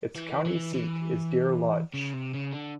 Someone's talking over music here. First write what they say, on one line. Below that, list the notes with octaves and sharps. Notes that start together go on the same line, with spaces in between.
Its county seat is Deer Lodge.
E3
E3
E3
C#3
C3
C#3
D3